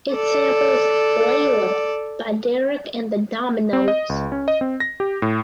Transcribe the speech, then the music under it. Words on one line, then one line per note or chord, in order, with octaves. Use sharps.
It samples "Layla" by Derek and the Dominos.
A4 D5
C4
D#5
C#2
C#4
D#5
C4
A#6
G4
A2